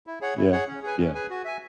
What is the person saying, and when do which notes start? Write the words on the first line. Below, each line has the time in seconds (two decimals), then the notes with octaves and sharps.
Yeah, yeah.
0.07 E4
0.21 G#4 C#5 F#5
0.37 E4
0.52 G#4 C#5 F#5
0.67 C#4
0.83 G#4 B4 G#5
0.99 C#4
1.14 G#4 B4 G#5
1.30 F#4
1.45 E5 G#5